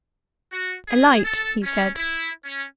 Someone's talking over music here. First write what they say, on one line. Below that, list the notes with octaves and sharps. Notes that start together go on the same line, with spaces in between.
"A light," he said.
F#4
G#4
A4
C#4
E4
C#4